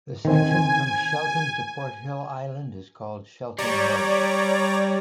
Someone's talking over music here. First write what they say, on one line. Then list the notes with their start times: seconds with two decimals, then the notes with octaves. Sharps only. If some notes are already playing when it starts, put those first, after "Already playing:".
The section from Shelton to Porthill island is called Shelton Road.
0.25 D#3 C4 G#5
3.58 G3 C#5 D5 A#5